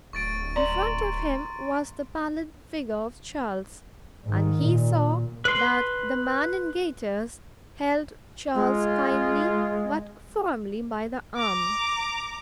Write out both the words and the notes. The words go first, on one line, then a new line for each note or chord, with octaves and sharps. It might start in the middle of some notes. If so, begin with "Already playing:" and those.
In front of him was the pallid figure of Charles, and he saw that the man in gaiters held Charles kindly but firmly by the arm.
D1 C#6 A6 D7
D5 A#5 C6
G#2 D#3
A#2
B4 C6
G#3 F4
A#5 D6